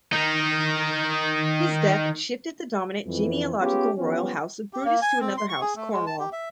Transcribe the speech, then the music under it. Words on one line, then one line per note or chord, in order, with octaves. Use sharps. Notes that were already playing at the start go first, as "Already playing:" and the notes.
His death shifted the dominant genealogical royal house of Brutus to another house, Cornwall.
D#3 D#4
F2 E3
B3 C#4 F4 G4 G#4
F3 B3 C#4 G4
G4
A#3
G#5
C4
C6
C#6
G#4
A3
G#3
A5
G4
E5